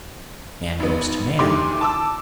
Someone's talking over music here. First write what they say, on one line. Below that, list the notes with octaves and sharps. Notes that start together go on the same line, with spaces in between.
Man goes to Man!
G#1 B3
D2 D#3 A3 G4 C6 D6
A5 D6 E6